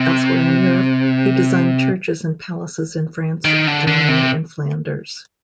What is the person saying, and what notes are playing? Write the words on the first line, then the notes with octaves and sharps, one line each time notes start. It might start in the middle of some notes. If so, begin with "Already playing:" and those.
Elsewhere in Europe, he designed churches and palaces in France, Germany and Flanders.
Already playing: C3
D#3
D3
D3
C3